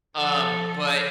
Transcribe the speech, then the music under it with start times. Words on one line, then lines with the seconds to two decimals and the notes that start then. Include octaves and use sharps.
um, but,
0.18 F3 A4